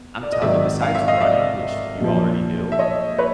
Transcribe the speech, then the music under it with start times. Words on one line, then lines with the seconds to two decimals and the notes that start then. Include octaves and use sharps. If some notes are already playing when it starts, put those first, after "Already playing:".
I'm telling you, besides running, which you already do,
Already playing: B2
0.23 D5
0.32 D#5
0.42 G#1 G#2 D#3 F#3 D5 E5
0.82 F5
0.95 E5
1.08 D#5 F5
1.21 D5 E5
2.00 A#1 A#2 F3
2.72 E5
2.79 C#5 D#5
3.18 B4 C#5